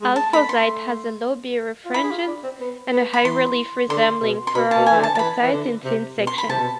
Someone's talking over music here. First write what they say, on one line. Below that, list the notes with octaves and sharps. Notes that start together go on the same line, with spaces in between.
Alforsite has a low birefringence and a high relief resembling fluorapatite in thin-section.
G#3
A5
A3 B5
C6
A3
F4
E4 B5
G#4
F4
D4
C4
B3
B3
B5
E3 C6
D3 C6
B2
C6
B2 B5
A5
B2
G#5
E3
D3
A5
A5
E3 B5
E3
D3
C3
B2
C6
B5
C3 A5
B2